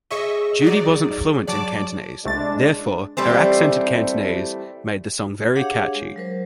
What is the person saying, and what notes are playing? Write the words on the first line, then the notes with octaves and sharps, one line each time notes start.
Judy wasn't fluent in Cantonese, therefore, her accented Cantonese made the song very catchy.
G#4 C#5 D#5 E5 C#6
F#3 D#4 D5
F#3 C#5 D5 A5 D6
C2 G#3 A3 D4 A6
E3 G3 A3 C4
D4 G4 G#4 C#5 F5 F#5
G#3
F#3 A#4 C5